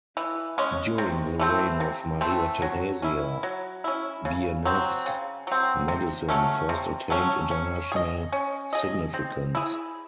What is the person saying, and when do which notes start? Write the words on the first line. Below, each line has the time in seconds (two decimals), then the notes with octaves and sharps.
During the reign of Maria Theresia, Viennese medicine first attained international significance.
0.17 E3
0.58 G#3 C#4
0.98 C3
1.40 E3 A3 C4
1.80 C3
2.21 E3 A3 C4
2.62 F#3
3.02 C#4 E4
3.43 F#3
3.84 C#4 E4
4.25 C#3
4.65 F#3 C4
5.06 C#3
5.47 F#3 C4
5.88 C3
6.29 F#3 A3 C#4
6.69 C3
7.10 F#3 A3 C#4
7.51 C#4
7.92 G#4
7.96 D#5
8.32 C#4
8.73 G#4 D#5
9.14 C4
9.55 E4 G#4